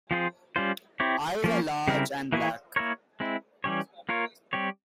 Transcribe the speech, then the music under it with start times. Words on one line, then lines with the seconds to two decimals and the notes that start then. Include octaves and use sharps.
Eyes are large and black.
0.11 F3 C4 F4 G#4 C5
0.56 G3 C#4 F4 C5
1.00 C4 E4 G4 C#5
1.44 F3 A#3 C#4
1.88 C#3 G3 C4 E4 A#4
2.32 E3 A#3 E4 G#4 C#5
2.76 A#3 E4 A#4 C#5
3.20 G#3 C4 E4
3.64 E3 G3 C#4 G4 C#5
4.09 A#3 F4 A#4 C#5
4.53 G3 C4 G4 C#5